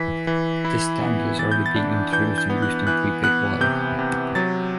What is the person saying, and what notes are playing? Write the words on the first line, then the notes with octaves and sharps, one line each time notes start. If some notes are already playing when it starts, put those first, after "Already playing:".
This standard is already being introduced and used in prepaid water.
Already playing: E3 B6
E3
E4
B3
E3 A6
G6
A6
D4
E3 G6
G6
B3
F#6
E3 F#6
B3 F#6
C3 G6
C3
F#3 A6